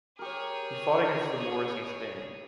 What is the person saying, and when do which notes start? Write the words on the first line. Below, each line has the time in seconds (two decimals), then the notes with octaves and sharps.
He fought against the Moors in Spain.
0.19 G4 G#4 A#4 C#5